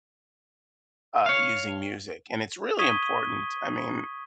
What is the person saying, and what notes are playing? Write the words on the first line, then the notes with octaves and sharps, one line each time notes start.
uh, using music. And it's really important, I mean
C#5 F5
C#6 D#6 G#6 B6 D#7 G7